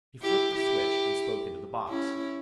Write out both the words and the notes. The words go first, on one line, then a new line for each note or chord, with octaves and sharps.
He flipped a switch and spoke into the box.
E4 G4
E4 G4
C#4 E4